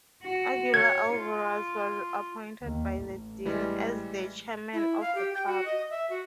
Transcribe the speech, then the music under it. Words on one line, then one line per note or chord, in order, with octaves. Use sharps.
Aguilar Alvarez was appointed by the dean as the chairman of the club.
F#4
C#5 G#6
F4
D#2
A1
E3 G3 G#3
E4
F5
G4
G5
F#4
D#5
E5
F#4